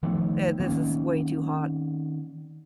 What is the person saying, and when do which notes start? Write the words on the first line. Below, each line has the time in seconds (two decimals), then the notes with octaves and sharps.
eh, this is way too hot."
0.03 D#3 F3 A3 B3
0.59 D#3 A#3 C4 C#4